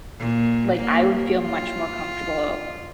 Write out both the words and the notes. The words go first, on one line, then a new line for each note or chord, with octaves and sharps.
like, I would feel much more comfortable
A#2
A#3
F4